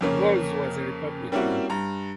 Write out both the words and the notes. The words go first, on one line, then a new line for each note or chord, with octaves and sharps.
Volz was an Republican.
F2 C#3 A#3 C#4
G3 A#3 C4 C#4 E4 F#4
G2 A#5